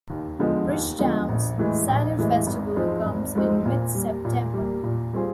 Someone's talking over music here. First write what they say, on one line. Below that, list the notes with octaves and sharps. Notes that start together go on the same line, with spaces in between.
Bridgetown's Cider Festival comes in mid-September.
D#2
D3 F3 G#3 B3
D#2
D3 F3 G#3 B3
A#1
A2 E3 G#3
A#1
A2 E3 G#3
G#1
G#2 F3 G#3 C4
G#1
G#2 F3 G#3 C4
A#2
G3 A#3
A#2
G3 A#3
A#2
G3 C4 F4 G#4